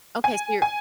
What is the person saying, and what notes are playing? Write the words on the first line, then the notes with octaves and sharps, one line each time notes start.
Okay, so your
G#5
G#5